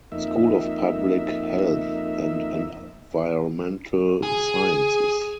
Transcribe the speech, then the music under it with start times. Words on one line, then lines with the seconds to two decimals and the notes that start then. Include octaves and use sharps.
School of Public Health and Environmental Sciences.
0.12 F2 A#3 D#4 E5
4.23 G#4